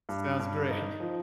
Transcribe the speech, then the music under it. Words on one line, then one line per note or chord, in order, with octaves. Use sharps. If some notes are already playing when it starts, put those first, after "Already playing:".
Sounds great.
G2
G2
D#4
F3